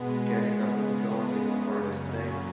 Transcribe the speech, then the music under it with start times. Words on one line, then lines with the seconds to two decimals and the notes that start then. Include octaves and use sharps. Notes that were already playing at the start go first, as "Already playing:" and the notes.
getting up and going is the hardest thing,
Already playing: B2 G#3 B3
0.34 C#3 G#3 B3
1.54 F#2 C#3 F#3 C#4